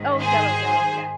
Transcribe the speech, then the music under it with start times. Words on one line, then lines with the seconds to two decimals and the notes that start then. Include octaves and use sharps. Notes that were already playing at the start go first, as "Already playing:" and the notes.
Oh, yellow, yellow, yes.
Already playing: G#2 D#3
0.19 G#4 C5